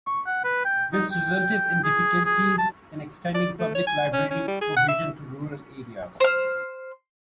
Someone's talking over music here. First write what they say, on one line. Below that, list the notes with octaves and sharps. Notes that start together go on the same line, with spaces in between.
This resulted in difficulties in extending public library provision to rural areas.
C#6
F#5
B4
G5
D#4
G5
G#4
G#4
A5
D5
A3
C#5
G#5
C#4
C#4
G3
G#4
F#5
E5
C5 F6